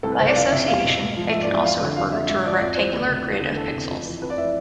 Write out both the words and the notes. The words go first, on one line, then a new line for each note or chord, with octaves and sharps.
By association, it can also refer to a rectangular grid of pixels.
C2 A4
B4
C3 C5
D5
F2 F5
C3 E5
E2 F5
B2
G#2
F3
G#2 E5
D5
E3
E5
F2 F5
D3
F2 F5
D3 E5
G#2 E5
F3 D5
F2 D5
E3 C5
D2 B4
C3
E2
D3
E2 A4
C3
F2
E3
F2 B4
D5
E3 E5